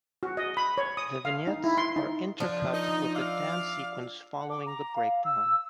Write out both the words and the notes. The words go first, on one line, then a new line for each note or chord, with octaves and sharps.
The vignettes are intercut with the dance sequence following the breakdown.
F#4
D#5
B5
C#5
D#6
F5
D#4
E4
C6
D#4
F3 D4 F4
D#4
D5 E5 F5
F#5
D6
A#5
F5
E6